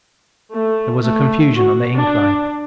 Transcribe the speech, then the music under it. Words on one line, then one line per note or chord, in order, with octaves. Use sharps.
There was a confusion on the incline.
A3
A3
F#4
D4